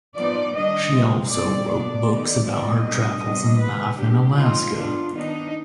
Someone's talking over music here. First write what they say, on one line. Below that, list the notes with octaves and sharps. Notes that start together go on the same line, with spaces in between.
She also wrote books about her travels and life in Alaska.
F3 B3 D#4 D5
D#3 G3 D4 D#5
C3 F3 G#3
B2 G3 C4 D5
B2 B3 D4 D5
D#3 B3 D#4
F3 G#3 B3 D#4 D5
B2 G3 D4 D#5
C3 G3 B3 D4
C3 D#3 G#3 B3 B4
D3 G#3 D4 G4
F3 G#3 C4 D#4 F4
D#3 B3 D4 F4
D#3 B3 D4 D#4